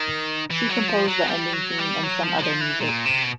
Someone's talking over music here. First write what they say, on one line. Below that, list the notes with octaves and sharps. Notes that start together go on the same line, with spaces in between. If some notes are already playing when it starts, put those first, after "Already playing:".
She composed the ending theme and some other music.
Already playing: D#3
E3
F#3
F3
F#3
G3
F#3
G3
F#3
F3
F#3
F3
E3
A#2
C3
B2